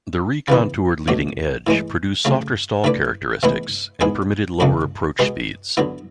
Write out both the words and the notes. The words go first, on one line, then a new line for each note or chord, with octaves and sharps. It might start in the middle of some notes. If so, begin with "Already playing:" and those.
The recontoured leading edge produced softer stall characteristics and permitted lower approach speeds.
C#3 E3 B3 E4
B2 F#3 A3 D4
A2 E3 G#3
C#3 F#3 A3
D3 A3 E4 B4 D5
A2 E3 G#3 B3 E4
G#2 G#3 B3 E4 G#4
C#2 C#3 G#3 D4 F#4
B2 G#3 B3 F#4
D3 F#3 B3 E4